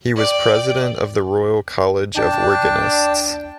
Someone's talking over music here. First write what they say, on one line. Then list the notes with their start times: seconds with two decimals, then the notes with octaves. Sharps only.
He was president of the Royal College of Organists.
0.16 D5 G5
2.16 D4 G5 A5